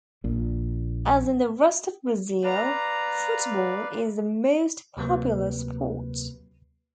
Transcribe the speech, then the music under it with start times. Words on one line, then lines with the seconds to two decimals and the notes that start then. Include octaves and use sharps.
As in the rest of Brazil, football is the most popular sport.
0.24 A#1 A#2
2.44 B4 D5 F5 A#5
4.97 D2 C3 F#3 A#3 B4